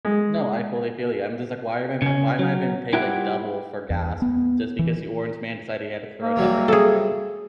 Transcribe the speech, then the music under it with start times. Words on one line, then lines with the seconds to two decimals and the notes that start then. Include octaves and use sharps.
No, I fully feel you. I'm just like, why am I why am I being paid, like, double for gas just because the orange man decided he had to throw a temper tantrum?
0.05 G#3
2.02 C#3 C#4
2.39 F#3
2.93 G3 E4 F4 E5 F#5
3.90 E2
4.22 B3
4.79 E3
6.22 A#3
6.36 C3 F#3 G3
6.68 G#4 A4